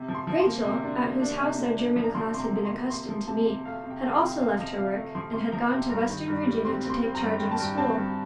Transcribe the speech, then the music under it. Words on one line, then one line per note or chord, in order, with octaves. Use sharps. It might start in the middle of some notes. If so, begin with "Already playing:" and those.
Rachel, at whose house our German class had been accustomed to meet, had also left her work, and had gone to western Virginia to take charge of a school.
Already playing: C3
F3
C6
F3
C6
A#3
C3
D4
A#3
D4
C3
A#3
D4
F3
A#5
F3 C6
C3 C6
A#5
F3
C6
A#3
C3 C6
F3
C3 A5
C3
A3 F5
C3
G5
A3
F5
G5
C3
C3 F5
F3 D#5
C3 F5
A3
F3 C6
C3 C6
F3 A#5
C3 G5
G2 A#5
D#3
G2
G3
C4 C6
C4
C6
C4
A#5
G2
G2 G5
A5
G2 G5
G5
C4 A5
G2